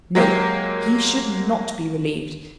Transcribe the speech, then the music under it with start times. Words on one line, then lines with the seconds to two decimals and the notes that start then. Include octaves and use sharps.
No! he should not be relieved.
0.15 F#3 G#3 A#3 G4